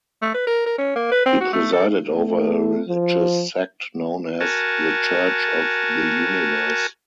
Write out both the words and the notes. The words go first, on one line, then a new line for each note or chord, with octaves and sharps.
He presided over a religious sect known as the Church of the Universe.
A3
B4
A#4
A#4
C#4
A#3
B4
C4
F#4
A3
A4
A3
F3
F#4 A#4 G#5 A5